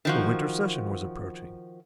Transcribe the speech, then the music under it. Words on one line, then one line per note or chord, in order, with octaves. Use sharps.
The winter session was approaching.
D#3 F3 F#4